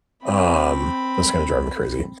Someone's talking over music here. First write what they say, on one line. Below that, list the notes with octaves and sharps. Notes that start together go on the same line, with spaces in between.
Um, that's gonna drive me crazy.
C4 B5